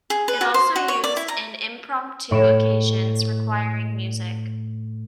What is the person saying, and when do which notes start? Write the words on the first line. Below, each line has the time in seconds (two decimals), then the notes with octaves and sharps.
It also used in impromptu occasions requiring music.
0.10 G#4
0.28 B4
0.41 F#4
0.54 C5
0.76 F#4
0.88 C#5
1.04 D5
1.17 E4
1.28 A#5
2.31 A2 C#6 D7 E7